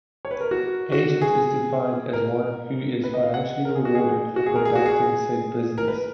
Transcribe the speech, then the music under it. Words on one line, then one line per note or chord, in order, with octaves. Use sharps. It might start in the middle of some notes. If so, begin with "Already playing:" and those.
Agent is defined as one who is financially rewarded for conducting said business.
C#5
B4
A#4
F#4
F#4
G#4
A#4
B4
D#5
F5
F#5
A#4
G#4
F#4
G#4
F#4
G#4
A#4
G#4
F#4
G#4
A#4
B4